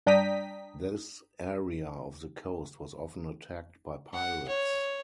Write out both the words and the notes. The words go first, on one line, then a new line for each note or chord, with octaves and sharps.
This area of the coast was often attacked by pirates.
G2 D4 G5 A#5 D#6 B6
F#5
C#5